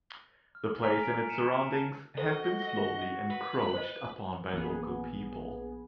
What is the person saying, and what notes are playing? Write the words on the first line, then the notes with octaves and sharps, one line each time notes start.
The place and its surroundings have been slowly encroached upon by local people.
F6
G#5 A#5 F6 B6 F7
D7
C#7 D#7 E7
A5
F#4 A4 C5 D#5
B4
C5 D#5
A#1 E3 A#3 B3 G#4